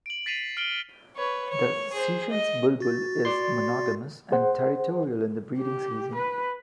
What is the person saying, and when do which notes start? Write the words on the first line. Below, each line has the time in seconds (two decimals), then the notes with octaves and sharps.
The Seychelles bulbul is monogamous and territorial in the breeding season.
0.06 D7 F#7
0.26 A6 B6 C7 D#7 F7
0.57 F6 D7 F#7 G7
1.16 B4 C#5
1.49 C#5
1.92 G#4 C5
2.30 D#5
2.80 F#4 A6
3.25 D5 C6
4.32 G#4 C5 F#5
5.58 G4
6.16 B4